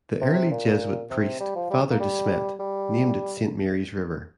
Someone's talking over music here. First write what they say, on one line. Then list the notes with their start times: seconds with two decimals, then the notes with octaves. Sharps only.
The early Jesuit priest, Father De Smet, named it Saint Mary's River.
0.21 C3
0.51 A#2
1.10 C3
1.40 G3
1.55 F3
1.70 G3
1.90 A#3
2.00 G3
2.59 G3